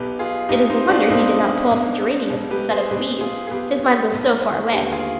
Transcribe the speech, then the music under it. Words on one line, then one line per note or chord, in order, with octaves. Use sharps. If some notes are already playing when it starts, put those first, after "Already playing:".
It is a wonder he did not pull up geraniums instead of weeds, his mind was so far away.
Already playing: B1 B2 G4 B4
F4 G#4
B1 B2 D#4 G4
C4 D#4
D4 F4
B1 B2 C4 D#4
B1 B2
B1 B2
G4 B4
G#4 C5
B1 B2 G4 B4
F4 G#4
G#4
B1 B2 G4 B4
B1 B2
D#2 D3 G4 B4
F4 G#4